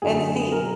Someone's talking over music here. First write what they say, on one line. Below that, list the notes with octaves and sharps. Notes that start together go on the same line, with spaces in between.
And see,
F#2 D3 F#3 G#4
G#4
B2 F#3 A#4